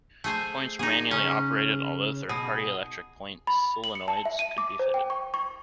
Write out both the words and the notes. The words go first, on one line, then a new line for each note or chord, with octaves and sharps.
Points were manually operated, although third-party electric point solenoids could be fitted.
A3 G#4 C5
D#4 G#4
C#3 C#4
B2 G#4 D#6
B5
F#7
C#7
A5
E5
D#7
D6
C5
G5
C#6
C#6